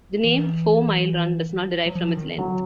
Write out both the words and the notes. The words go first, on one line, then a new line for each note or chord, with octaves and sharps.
The name Four Mile Run does not derive from its length.
E3
F#3
F3
D#3
D3 F#3